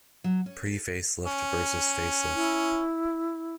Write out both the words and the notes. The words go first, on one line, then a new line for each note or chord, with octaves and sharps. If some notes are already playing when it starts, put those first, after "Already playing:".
Pre-facelift versus Facelift.
F#3
C#4
A4
C#4
E4